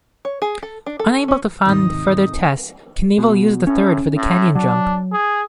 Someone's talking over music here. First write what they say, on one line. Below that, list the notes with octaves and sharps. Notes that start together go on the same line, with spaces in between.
Unable to fund further tests, Knievel used the third for the canyon jump.
C#5
G#4
A4
D4
A4
C#4
D#2 G#2 C3 D#3 D#4 D#6
B2
A2 C#4
A2
F#3 D4
G#4